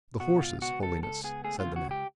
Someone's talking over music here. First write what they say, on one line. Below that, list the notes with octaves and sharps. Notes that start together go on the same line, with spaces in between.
"The horses, Holiness," said the man.
B2 F#4
C#2 F4
B3 F#4
C#2 A4
C#2 A4
B3 G#4
A3 G#4
F4
C#3
F#4
C#2 G4